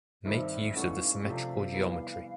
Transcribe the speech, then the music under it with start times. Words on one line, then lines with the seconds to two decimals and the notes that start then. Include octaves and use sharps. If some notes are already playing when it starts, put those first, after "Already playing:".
Make use of the symmetrical geometry.
0.25 G2 D#3 G3 C4 E5
0.74 G#2 E3 A3 C#4 F#5
0.91 F5
1.24 C3 F3 A3 D4 G4 F5
1.74 E3 G3 B3